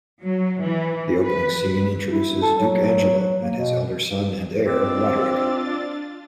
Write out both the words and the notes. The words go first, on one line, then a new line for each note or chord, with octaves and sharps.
The opening scene introduces Duke Angelo and his elder son and heir, Roderick.
F#3
E3
B4
E4
A4
F#3
F#3
A#3
B2
C4 D4 F4 D#5 D6 E6 A6